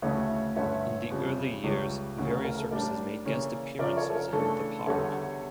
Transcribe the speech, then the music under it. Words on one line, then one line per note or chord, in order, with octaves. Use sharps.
In the early years various circuses made guest appearances in the park.
D2 C#3 E3 A3 E4 C#5 E5
G2 D3 A3 C#4 E4 C#5 E5
F2 C#3 G3 C#4
C#2 C#3 G3 C#4
D2 C#3 E3
A#4
A#4
A4
A2 G3 D4 A#4 D5
C#3 E3 A#3 C#4
C#3 F3 C#4 E4 A#4 D5
A4 C#5
A4
A#4
C#3 E3 A3 D4 A4
E2 D3 G3 C#4 A4 C#5